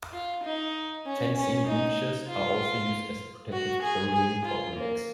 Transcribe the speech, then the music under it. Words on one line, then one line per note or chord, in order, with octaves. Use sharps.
Fencing breeches are also used as a protective clothing for the legs.
F4
D#4
C#4
C#4
D#4
F4
F#4
G#4
G#4
F4
A#3